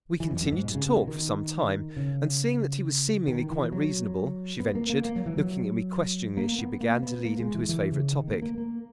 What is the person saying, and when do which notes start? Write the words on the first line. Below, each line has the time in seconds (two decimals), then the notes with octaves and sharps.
We continued to talk for some time; and, seeing that he was seemingly quite reasonable, she ventured, looking at me questioningly as she began, to lead him to his favourite topic.
0.20 E3
0.31 F#2
0.41 F#2
0.52 G#2
0.64 B2
0.74 C#3
0.86 C#3
0.97 B2
1.07 D#3
1.96 C#3
3.28 D#3
3.50 E3
3.72 F#3
4.60 B3
4.75 A#3
4.90 A#3
5.05 A#3
5.16 F#3
5.26 E3
5.37 F#3
6.37 A#3
6.59 B3
6.81 A#3
7.03 B3
7.25 A#3
7.40 G#3
7.54 E3
7.69 E3
7.92 C#3
8.12 D#3
8.27 A#3
8.42 A#3
8.58 A#3